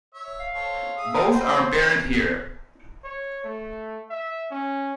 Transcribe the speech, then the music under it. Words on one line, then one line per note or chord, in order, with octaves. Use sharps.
Both are buried here.
C#5 E5
F5
A4 C5 C#5
G#4 E5 D#6
F#4 B4 C5 G5
A#3 C#4 D4
C#5
A3
E5
C#4